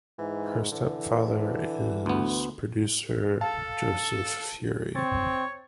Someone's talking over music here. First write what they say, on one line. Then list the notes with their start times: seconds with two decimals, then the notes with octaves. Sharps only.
Her stepfather is producer Joseph Feury.
0.19 G#2 E3
0.72 D3 E3
2.06 D2 B3
3.41 A4 F5 A5
4.96 C4 C#5 A6